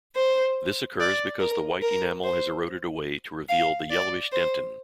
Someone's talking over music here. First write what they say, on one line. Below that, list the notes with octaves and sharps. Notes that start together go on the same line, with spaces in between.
This occurs because the white enamel has eroded away to reveal the yellowish dentin.
C5
D5
A#4
A#4
C5
F5
D5
C5